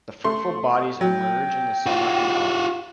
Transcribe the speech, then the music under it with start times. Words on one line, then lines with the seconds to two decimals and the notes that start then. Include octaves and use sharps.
The fruitful bodies emerge in the summer and autumn.
0.24 A3 C6
1.01 F#3 G5
1.86 F4 F#4